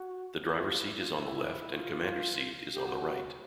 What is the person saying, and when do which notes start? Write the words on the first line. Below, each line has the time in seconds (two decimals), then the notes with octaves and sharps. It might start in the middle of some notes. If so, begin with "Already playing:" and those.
The driver's seat is on the left and commander's seat is on the right.
Already playing: F#4
0.48 E4
0.60 F4
0.79 E4
0.98 F4
1.17 E4
1.60 E4
1.73 F#4
1.77 F4
2.74 G4
2.85 F#4